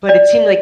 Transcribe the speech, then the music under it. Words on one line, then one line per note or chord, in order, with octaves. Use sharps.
but it seemed like
D5